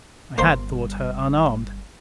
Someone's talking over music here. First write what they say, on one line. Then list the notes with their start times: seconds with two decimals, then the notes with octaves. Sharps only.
I had thought her unarmed.
0.38 G1 G3 A#3 C5 C6